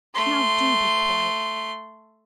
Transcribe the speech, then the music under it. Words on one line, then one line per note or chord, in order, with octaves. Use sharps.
'Now do be quiet.
A3 C6